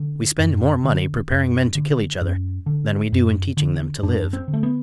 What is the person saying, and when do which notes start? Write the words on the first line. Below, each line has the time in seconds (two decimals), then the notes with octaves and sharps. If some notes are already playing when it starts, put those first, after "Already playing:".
We spend more money preparing men to kill each other than we do in teaching them to live.
Already playing: D3
0.39 F#2
0.84 D3
1.30 F#2
1.75 D3
2.21 F#2
2.66 D3
3.12 F#2
3.57 D3
4.03 F#2 D4
4.33 C4
4.48 D3
4.53 A3
4.63 B3